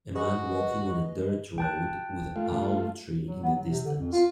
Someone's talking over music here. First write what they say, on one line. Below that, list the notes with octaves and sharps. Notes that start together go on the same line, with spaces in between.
A man walking on a dirt road with a palm tree in the distance.
F#4 G#4 B4 D#5
G5 A5 F#6
A3 F4
F#3
B3
F#3
C3
D3
F2
F4